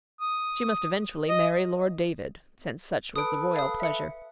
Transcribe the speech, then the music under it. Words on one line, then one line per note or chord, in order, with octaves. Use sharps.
She must eventually marry Lord David, since such was the royal pleasure.
D#6
D#5
A4 B4 D#6 D7
F5 D#6
E5 C#7